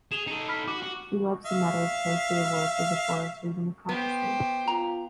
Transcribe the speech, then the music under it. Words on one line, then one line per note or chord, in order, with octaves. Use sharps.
She loves the meadows close to the woods or the forest, or even the coppices.
G#4 E7 F7 G7
D#4 A4
B5 F6 B6
F#4 D6
F#4
E5 F5
B3 G4 C5
F4 A#5